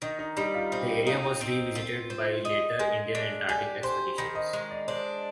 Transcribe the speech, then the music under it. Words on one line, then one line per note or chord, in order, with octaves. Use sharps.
The area was revisited by later Indian Antarctic expeditions.
D#3 D#4
D#4
G3 D#4
F4
C4 D#5
F5
D#4 F5
G5
C4
F4
C5
D#5
G#3 G#5
D4
G4 G#5
C5 C6
D#3 B5
D#5
G#3
D5
D4 C5